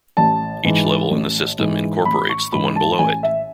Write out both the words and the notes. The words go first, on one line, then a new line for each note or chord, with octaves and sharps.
Each level in the system incorporates the one below it.
A1 A5
G#2 E3
A1
G#2 E3
A1 B5
C#6
G#2 E3 B5
A5
A1 G#5
E5